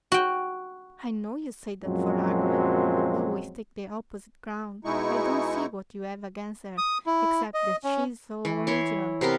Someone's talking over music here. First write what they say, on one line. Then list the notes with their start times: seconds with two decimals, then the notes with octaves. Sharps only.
"I know you say that for argument; you always take the opposite ground. I don't see what you've against her except that she's so original."
0.12 F#4 G5
1.84 F#2 A#2 F3 F#3 G#3 C4
4.85 B2 G#3 D#4 E4 C#6
6.78 D#6
7.06 E4
7.54 D#5
7.84 C#4
8.45 E3
8.67 E4 C#5 C6
9.21 C3 B3 A#4 C6